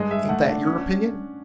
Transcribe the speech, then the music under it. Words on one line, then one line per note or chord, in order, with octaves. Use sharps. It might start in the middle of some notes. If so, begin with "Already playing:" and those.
Ain't that your opinion?'
Already playing: G2 G#3 D#5
G#3 E5
A3 F#5
D4
C#4